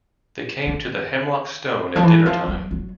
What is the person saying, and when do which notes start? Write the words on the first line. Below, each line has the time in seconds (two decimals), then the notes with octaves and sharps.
They came to the Hemlock Stone at dinner-time.
0.66 D#3
1.96 F3
2.03 E3
2.26 F3
2.48 F#3
2.71 F#3